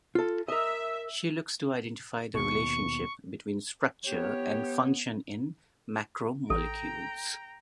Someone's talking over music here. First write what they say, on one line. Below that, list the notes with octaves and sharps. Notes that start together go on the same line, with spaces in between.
She looks to identify the relationship between structure and function in macromolecules.
F4 A4
A#4 D#5 E5
D#2 B2 C#6
B3 G4 C#5
A1 A4 G5 A#5